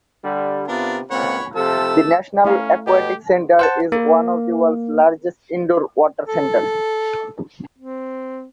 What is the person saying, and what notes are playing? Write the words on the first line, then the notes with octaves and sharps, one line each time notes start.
The National Aquatic Centre is one of the world's largest indoor water centres.
D3 G3
C3 B3 D4 F4 A#4 D5
C#2 A#2 C4 C#5 F#5 B5
C3 F3 A3 A4 A5 E6
A3 C#4 E4 F5 A#5
B2 G4
C5 F#5 A5
A#3
A4
C4